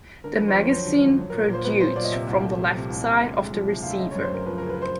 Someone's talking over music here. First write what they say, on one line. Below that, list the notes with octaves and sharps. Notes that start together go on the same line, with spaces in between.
The magazine protrudes from the left side of the receiver.
D3 A#4
B4
F2
C5
F2 C#5
F#3 C5
D3
F2
F#3
A#4
A#2
A#2 C5
B3 B4
F#3 C5
A#2 D5
D#5
C3 E5
C2
A3
F3
C3
C2
C3
D2
G#3
F3
C3
D2 F5
E5
C#3 D#5
C#5
F#2
C5
F#2 A#4
F3 B4
A#4
C#3
B4
C5